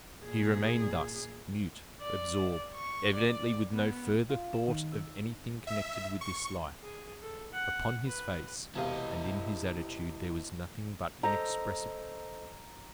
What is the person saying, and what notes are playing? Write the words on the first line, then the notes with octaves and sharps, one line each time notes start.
He remained thus, mute, absorbed, evidently with no further thought of anything connected with this life. Upon his face and in his attitude there was nothing but inexpressible pity.
A#2 G#4
D5
C#6
D5
B3
F4
E7
D#3
E6
E5
C#6
G#4
A4
F#5
B4
E1 C3 E4 D#5 F5
A4 C5 D#5 A#5